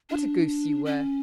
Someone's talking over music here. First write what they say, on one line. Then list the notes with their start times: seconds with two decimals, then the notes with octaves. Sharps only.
"What a goose you were."
0.10 D4
0.85 C#4